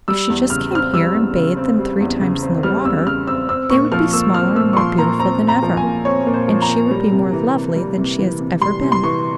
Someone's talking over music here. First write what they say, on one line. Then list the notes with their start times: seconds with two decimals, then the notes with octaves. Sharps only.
"If she just came here and bathed them three times in the water, they would be smaller and more beautiful than ever, and she would be more lovely than she has ever been."
0.08 G3 E6
0.30 E2
0.50 C#3 F6
0.71 C4 F6
0.94 G3 E6
1.15 E2
1.36 C#3
1.57 C4
1.79 G3
2.00 E2
2.21 C#3
2.43 C4
2.63 G3 F6
2.85 E2 E6
3.06 C#3 F6
3.27 C4 E6
3.49 C4 E6
3.70 A#2 C#6
3.92 F3 F6
4.13 A#2 E6
4.34 C4 F6
4.55 A#2 E6
4.73 C#6
4.77 F3 C6
4.98 A#2 A#5
5.20 C4 A#5
5.41 A#2
5.48 A#5
5.63 F3
5.77 G#5
5.83 A#2
6.05 C4 C#5
6.27 A#2
6.34 C5
6.48 F3
6.62 A#5
6.69 A#2
6.91 G3
7.11 C3
7.33 E3
7.54 C3
7.76 G3
7.98 C3
8.19 E3
8.40 C3
8.61 G3 C6
8.82 C3
8.92 C6
9.03 E3 C#6